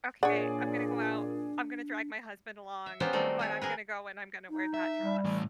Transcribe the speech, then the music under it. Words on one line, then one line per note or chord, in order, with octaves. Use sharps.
Okay. I'm gonna go out. I'm gonna drag my husband along, but I'm gonna go and I'm gonna wear that dress.
A#2 D4 G#4 C#5 D5 F#5 G#5
E5
F#3 B3 C#4 F4 G4 C5
D#3 G3 A3 C4 F#4
C4 G#4 C#5
G#4 A#4 B4
D#4
E5
G3
A2 E3